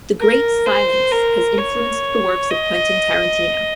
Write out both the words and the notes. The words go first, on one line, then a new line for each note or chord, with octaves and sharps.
"The Great Silence" has influenced the works of Quentin Tarantino.
A#4
C5
A#4
C#5
D#5